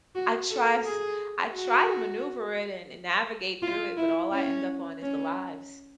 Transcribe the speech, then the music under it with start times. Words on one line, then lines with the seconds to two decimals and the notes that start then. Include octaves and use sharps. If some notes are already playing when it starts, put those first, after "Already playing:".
try s I try to maneuver it and navigate through it, but all I end up on is the "lives".
0.15 F#4
0.50 A4
0.85 G#4
1.54 F#4
3.62 F4
3.97 E4
4.32 C#4
5.01 C#4